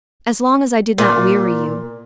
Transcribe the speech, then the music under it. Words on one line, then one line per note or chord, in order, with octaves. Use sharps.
"As long as I did not weary you."
A#2